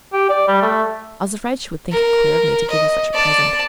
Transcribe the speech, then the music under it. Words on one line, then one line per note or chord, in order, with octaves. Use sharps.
I was afraid she would think it queer of me to give her such a present.
G4
D5
G3
A3
A#4
D#5
D5 A5